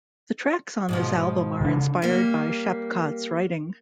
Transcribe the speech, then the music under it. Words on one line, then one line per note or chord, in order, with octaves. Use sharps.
The tracks on this album are inspired by Shapcott's writing.
G#2 B2 F3
C#3 D4
G3 A#3